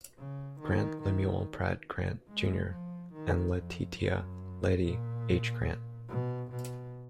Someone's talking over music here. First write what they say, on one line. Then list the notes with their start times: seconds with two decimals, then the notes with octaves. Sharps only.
Grant, Lemuel Pratt Grant, Junior and Letitia "Lettie" H. Grant.
0.18 C#3
0.60 D#3
1.02 D#3
2.29 G#3
2.71 F3
3.13 D#3
3.55 F2
3.98 F#2
4.82 A#2
6.08 B2
6.50 B2